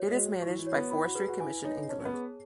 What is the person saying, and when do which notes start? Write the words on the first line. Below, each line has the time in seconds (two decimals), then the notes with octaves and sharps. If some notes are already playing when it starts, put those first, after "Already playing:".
It is managed by Forestry Commission England.
Already playing: F#4 C#5
0.09 G#3
0.18 F#4
0.42 E3 C#6
0.59 E3
0.67 C#5
0.75 B3
0.91 E4 B5
1.04 F#4
1.15 G#4 B4
1.28 F#4
1.40 E4 G#5
1.64 D#4 C#5
1.77 D#4
1.89 C#4 A5
2.00 C#4
2.05 B3
2.14 G#4